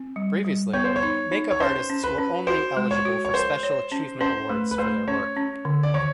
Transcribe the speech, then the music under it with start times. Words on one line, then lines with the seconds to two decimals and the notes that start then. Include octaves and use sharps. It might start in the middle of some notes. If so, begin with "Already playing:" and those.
Previously, make-up artists were only eligible for special achievement awards for their work.
Already playing: C4
0.16 G3
0.45 G3
0.73 B3 C#5
0.84 C5
0.96 C#5
1.03 D#4
1.32 D#4
1.51 C#5
1.60 C#4 C5
1.90 C#4
2.04 B4
2.18 C#4
2.47 F#4 C5
2.77 G#3
2.91 C#5
3.05 F#4
3.25 C#5
3.34 A#4 C5
3.63 C#5
3.92 C#4
4.21 C#4 C5
4.50 A3 B4
4.71 B4
4.78 A3 C5
5.08 C#4 C#5
5.37 C#4
5.65 D3
5.83 D5
5.94 D#3 C#5